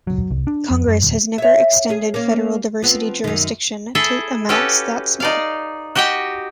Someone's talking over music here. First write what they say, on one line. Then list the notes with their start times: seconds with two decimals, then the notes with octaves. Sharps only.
Congress has never extended federal diversity jurisdiction to amounts that small.
0.07 F#3
0.31 C2
0.47 D4
0.70 F2
0.88 F#2
1.04 D1
1.38 C#5 E5
1.89 C#4 G#4
2.14 A#3 C#4
2.82 F3 B3 C4
3.24 F#2 D#3
3.95 E4 G#4 A4 E5
4.49 C#4 F#4 G4 A4 B4
5.20 D#4 D5 F5
5.95 F#4 G4 D#5 F#5 G5